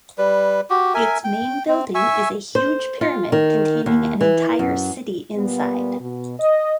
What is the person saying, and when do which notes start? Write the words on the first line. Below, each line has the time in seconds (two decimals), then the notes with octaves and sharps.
Its main building is a huge pyramid containing an entire city inside.
0.18 G3 B4
0.70 F#4 G4
0.94 A#4 E5 G#5
1.24 G5
1.68 C4
1.95 E5 G#5 C#6 E6
2.55 C5
3.01 F4
3.32 D#3
3.86 D#2
4.21 E3
4.59 F#2
5.35 A#2 G3 B3
6.00 B2
6.39 D#5